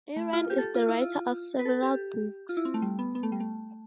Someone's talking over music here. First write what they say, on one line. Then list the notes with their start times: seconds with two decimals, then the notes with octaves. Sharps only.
Aren is the writer of several books.
0.16 A3
0.33 F4
0.50 G4
0.58 A4
0.75 F4
0.88 E4
1.02 F4
1.59 B4
1.65 A4
1.83 G4
2.49 F4
2.57 E4
2.65 C4
2.74 A3
2.82 G3
2.99 B3
3.15 B3
3.23 A3
3.32 G3
3.40 A3